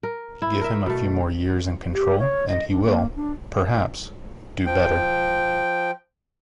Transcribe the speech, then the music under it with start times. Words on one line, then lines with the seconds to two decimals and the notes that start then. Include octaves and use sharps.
Give him a few more years in control and he will, perhaps, do better.
0.03 A#4
0.42 E4
0.61 A#4 E5
0.86 B2 A3
1.92 G4
2.18 C#5
2.48 D#5
2.70 D4
2.83 A#3
3.15 D4
4.66 F3 G5